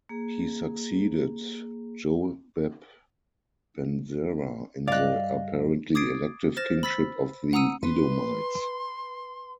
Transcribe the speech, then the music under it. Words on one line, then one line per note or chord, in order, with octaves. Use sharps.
He succeeded Jobab ben Zerah in the apparently elective kingship of the Edomites.
A#3 G#4
G2 D5 D#5 F5 F#6
D6 D#6 G#6 A6 C7 D7
C5 F6 A6 A#6 E7
B5 E6 A6 B6
F#5 A#5 D#6 E6 D#7
B4 C6